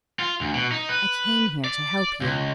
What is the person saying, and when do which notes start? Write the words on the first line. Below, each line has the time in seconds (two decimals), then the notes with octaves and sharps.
I came here to help you.
0.20 F4
0.41 D2
0.55 B2
0.72 D#4
0.89 B4
1.64 D5
2.21 C#2